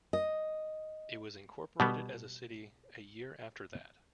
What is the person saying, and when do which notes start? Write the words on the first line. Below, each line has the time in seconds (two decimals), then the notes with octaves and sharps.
It was incorporated as a city a year after that.
0.13 D#5
1.80 B2 G3 B3